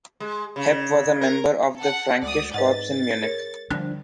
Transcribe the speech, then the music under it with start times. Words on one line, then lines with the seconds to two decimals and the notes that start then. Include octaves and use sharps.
Hepp was a member of the Frankish Corps in Munich.
0.20 G#3
0.56 C#3
1.21 A#4
1.76 A4 F#5
2.22 D2 G#3 D5 D#6
2.54 G#2 B4 D#5 F#5 A6
3.22 G#4 A#4 C#5
3.70 D3 F3 G3 D4